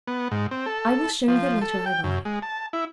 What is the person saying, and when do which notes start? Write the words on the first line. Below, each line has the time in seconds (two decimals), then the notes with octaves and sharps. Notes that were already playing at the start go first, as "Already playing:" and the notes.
"I will show you the letter I write."
0.07 B3
0.31 G#2
0.51 C4
0.66 A4
1.28 F3
1.62 A4
1.86 G5
2.04 F#2
2.25 G#3
2.42 A5
2.73 E4